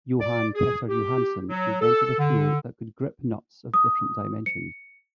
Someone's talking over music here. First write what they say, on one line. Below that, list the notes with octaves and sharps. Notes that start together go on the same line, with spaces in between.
Johan Petter Johansson invented a tool that could grip nuts of different dimensions.
D5
G#4
G4
F#3
A4
D3
D#6
C#7